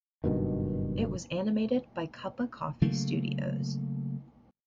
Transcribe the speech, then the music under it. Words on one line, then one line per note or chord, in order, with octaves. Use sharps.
It was animated by Cuppa Coffee Studios.
F#1 G2 B2 D#3
C#3 F#3 A3 A#3